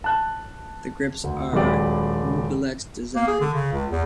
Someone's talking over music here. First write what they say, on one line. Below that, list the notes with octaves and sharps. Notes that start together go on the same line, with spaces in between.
The grips are Miculek's design.
A5 F#6
D2
D#1 F#3 G#3 B3 G4 D5
A#3
G#4
D3
C#3
C#2
E2